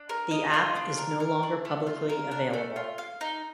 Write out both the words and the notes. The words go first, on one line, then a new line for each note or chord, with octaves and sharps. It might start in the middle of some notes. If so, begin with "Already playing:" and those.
The app is no longer publicly available.
Already playing: D4
A#4
D#5
F4
D4
A#4
A#4
D4
A3
F4
A#4
D4
A3
F4
F5
D#4